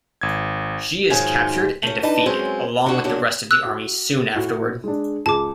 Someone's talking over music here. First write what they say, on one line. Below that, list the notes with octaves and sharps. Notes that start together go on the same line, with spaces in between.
She is captured and defeated along with the rest of the army soon afterward.
G#1 G#6
G#2 D#3 F#3 F4 G#5
A3 C#4
E3 D4 D#4 B4 A5
F#3 G#3 C4 C#4
D3 F#4
E2 A#2 F#3 D4
E6 F#6
F#4
A2 F#4
G#3 D4
C#2 G#4 A5 D6